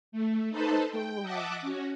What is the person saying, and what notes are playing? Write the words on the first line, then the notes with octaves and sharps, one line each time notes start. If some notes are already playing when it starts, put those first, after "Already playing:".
Oh, cool.
A3
D#4 A4 B4 C5 A5
G5
D#5 E5 F#5 A5 D6
C#4 F#4